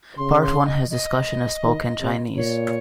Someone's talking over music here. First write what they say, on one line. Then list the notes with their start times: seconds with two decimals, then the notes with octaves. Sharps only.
Part One has discussion of spoken Chinese.
0.17 C#3 C6
0.42 C6
0.66 D#5
0.91 D#5
1.64 D#3
2.01 C3
2.36 A#2 C#5